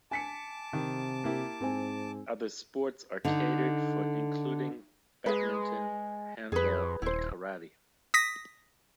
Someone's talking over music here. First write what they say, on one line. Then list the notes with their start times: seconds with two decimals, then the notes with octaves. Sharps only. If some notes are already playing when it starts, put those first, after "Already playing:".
Other sports are catered for including Badmintion, Handball and Karate.
0.11 G#5 A5 D6 B6 C#7
0.73 C3 D#3
1.24 A#3 E4 G4
1.61 G#2 C4 G#5
3.25 D3 D#4
5.26 G#3 G#4 B4
6.52 F2 G#4 B4
7.02 D#1 E4 C5
8.14 D#6 A#6 B6